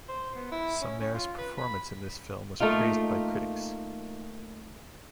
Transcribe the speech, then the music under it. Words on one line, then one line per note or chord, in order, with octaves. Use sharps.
Samaire's performance in this film was praised by critics.
C5
B3
E4
C#4
C#4
F4
B4
B5
A3 A#3 D#4 F4